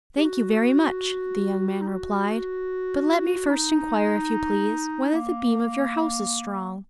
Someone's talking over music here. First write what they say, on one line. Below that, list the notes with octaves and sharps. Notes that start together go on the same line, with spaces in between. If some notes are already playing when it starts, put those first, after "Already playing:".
"Thank you very much," the young man replied; "but let me first inquire, if you please, whether the beam of your house is strong."
G4
F#4
D#4
F#4
D#4
A#3